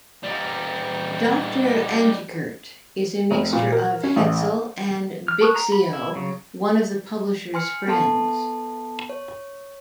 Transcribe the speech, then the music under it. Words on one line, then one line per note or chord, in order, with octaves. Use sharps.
Doctor Antekirtt is a mixture of Hetzel and Bixio, one of the publisher's friends.
G3 D#4
F1
A#2
A#4
C#4
A1
F6
A5 C#6 D#6 F6 F#6
A#5
B5
E4
C#3 F#3
G#5 C6 F6 C#7
B3 A4 A5 C6
C#5